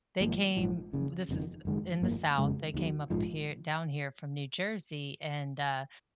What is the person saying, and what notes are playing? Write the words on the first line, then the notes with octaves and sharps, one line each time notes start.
they came this is in the South, they came up here down here from New Jersey, and, uh,
G#1 G#2 F3 A#3
A#1 G#2 F3
F#1 F#2 C#3
F#1 F2 C3 D#3
F#1 F#2 D#3 G#3
G#1 F#2 F3 A#3
F#1 F2 C#3 G#3
D#2 D#3 F#3
A#1 G#2 F3